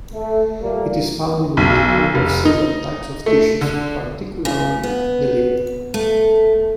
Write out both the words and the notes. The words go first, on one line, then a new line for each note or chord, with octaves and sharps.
It is found in the mitochondria of several types of tissues, particularly the liver.
A3
A#2 G3 A3 A#3
B1
F1
D#4
A3
D3
C#3
B3
A3